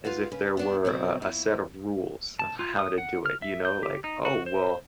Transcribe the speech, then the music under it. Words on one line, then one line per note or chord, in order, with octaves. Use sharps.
as if there were, uh, a set of rules of how to do it, you know? Like, "Oh, well,
F4 B4 F5 F#5
C#3 B4
B3 D4 F#4
B2 F#3 C4
F2 E4
A5
F4
D#6
F#5
F6
E5
G6
G4
D#4
F#4
C5